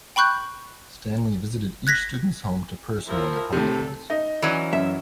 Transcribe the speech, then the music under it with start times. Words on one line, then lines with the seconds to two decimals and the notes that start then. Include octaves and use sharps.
Stanley visited each student's home to personally apologize.
0.16 G5 B5 C#6 F#6 G6
1.87 F#6 G#6 A#6 B6
3.08 F3 E4 A#4
3.53 A2 C3 A4
4.10 D#4 A#6
4.42 E3 F#3 C#4 D5
4.73 F#2 E5